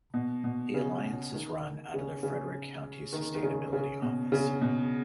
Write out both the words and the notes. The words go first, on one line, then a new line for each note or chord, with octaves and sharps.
The alliance is run out of the Frederick County Sustainability Office.
B2
B2
C#3
D#3
C#3
C#3
D#3
D#3
C#3
C#3
B2
C#3
B2